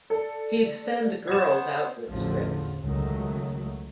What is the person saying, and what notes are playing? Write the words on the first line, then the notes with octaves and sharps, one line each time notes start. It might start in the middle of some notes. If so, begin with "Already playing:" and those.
He'd send girls out with scripts.
A4 D5
B3 C5 G#6 E7
A1 E2 D3 F3
C#2 D#3 F#3 A3